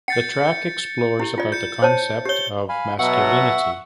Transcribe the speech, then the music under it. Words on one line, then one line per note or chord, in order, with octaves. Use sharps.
The track explores about the concept of masculinity.
F#5 G6 A6 C#7
E4 G4
F4 D5
G6 C#7
C5 C#5 A5
G4 C#5 G6 G7
F5 G#5 B5
B2 F#3 E5 F#5 C#6